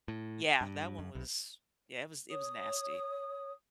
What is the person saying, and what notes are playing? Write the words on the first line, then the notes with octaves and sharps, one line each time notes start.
Yeah, that one was yeah, it was it was nasty.
A2
G2
F#2
B1
C#5 D#6